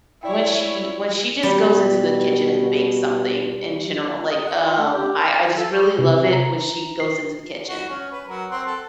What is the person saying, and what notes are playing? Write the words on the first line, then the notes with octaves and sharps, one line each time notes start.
when she when she just goes into the kitchen and bakes something, in general, like, um, I I just really love it when she goes into the kitchen.
E4 C#5 D5 G5
B2 G3
D#5
F#5
F4
A3
G4
A#4
F6
G#5
A4
C#5
C3
A#5
C7
F#4
C#4
B4
F#3 F#4 A#4
C4 F#5 C6
A4